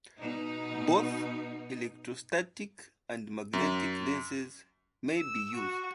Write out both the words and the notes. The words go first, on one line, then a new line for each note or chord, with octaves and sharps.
Both electrostatic and magnetic lenses may be used.
B2 D#4
F#2
E6
F#4